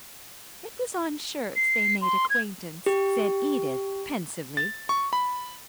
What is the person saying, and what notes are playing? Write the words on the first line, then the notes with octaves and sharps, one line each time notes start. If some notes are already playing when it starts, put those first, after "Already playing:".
"It was on shirts they made acquaintance," said Edith pensively.
C7
C6
G#6
G4
A6
C#6
B5